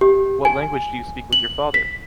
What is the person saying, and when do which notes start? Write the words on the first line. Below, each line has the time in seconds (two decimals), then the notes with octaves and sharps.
What language do you speak with your father?
0.01 G4
0.45 G#5
1.33 F#7
1.74 B6